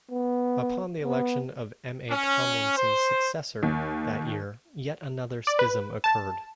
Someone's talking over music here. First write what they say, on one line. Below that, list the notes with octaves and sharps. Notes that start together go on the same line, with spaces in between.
Upon the election of M. A. Tomlinson's successor that year, yet another schism occurred.
B3
B3
C#4
C5
D#2
D5
B4
A5